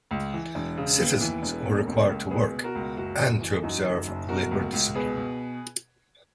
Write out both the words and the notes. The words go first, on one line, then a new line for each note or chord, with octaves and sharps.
Citizens were required to work and to observe labor discipline.
C#2
E3
E1
C#3
D#2 B3
E3
E1
B2 A#3 C#4
C#2
C#2
B2 G#4 B4
B2
F#4 A#4
C#2
F#1 F#4 A#4
F#1
E3
F#2 D#4 F#4
F#1
F#1
B2 F#4 A#4
C#2
C#2
B2 G#4 B4
B2